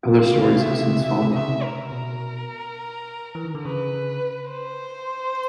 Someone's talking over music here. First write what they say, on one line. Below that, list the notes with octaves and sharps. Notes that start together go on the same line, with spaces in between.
Other stories have since followed.
C3 F5
C#3
C3
C#3 E5
C3
C#3
C3
C#3 E5
C3
C#3 E5
C3
A#4
B2 A#4
E3
D#3
D3
C#3 B4
C5